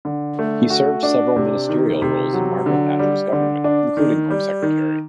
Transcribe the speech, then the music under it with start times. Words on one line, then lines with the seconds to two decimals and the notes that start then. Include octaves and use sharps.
He served several ministerial roles in Margaret Thatcher's government, including Home Secretary.
0.05 D3
0.39 A3
0.70 F#4
1.03 D4
1.36 C3
1.69 D#3
2.02 C3
2.33 F#3
2.66 D3
2.99 G3
3.33 D3
3.64 D4
3.97 D#3
4.30 G3
4.63 D#3